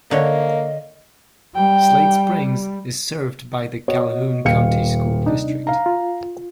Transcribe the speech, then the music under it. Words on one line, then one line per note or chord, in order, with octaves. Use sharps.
Slate Springs is served by the Calhoun County School District.
D3 A#3 C#5 D#5
G3 G5
B3 F#4 C#5 D#5
D#1 F5 C#7
C3 D4 D#4
F5 A#5
F4